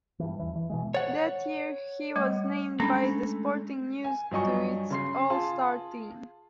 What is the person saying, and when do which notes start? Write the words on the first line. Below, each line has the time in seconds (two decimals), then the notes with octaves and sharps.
That year, he was named by "The Sporting News" to its All-Star Team.
0.19 G2 E3
0.40 E2 E3
0.56 E3
0.70 B2 E3 G#3
0.94 C5 C#5 F#5
2.16 G3 A3
2.80 G#3 A3 C#4 D4
4.04 G#5
4.31 G2 F3 F#3 D#5 G#5 C#6
4.90 C#3 C6 C7
5.30 F4 G#4 A5 C6